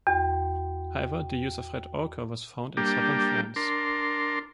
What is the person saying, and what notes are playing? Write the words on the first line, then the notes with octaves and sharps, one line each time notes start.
However, the use of red ocher was found in southern France.
E2 F#4 G5
G3 A#3 D4 G4
D4 A#4 C6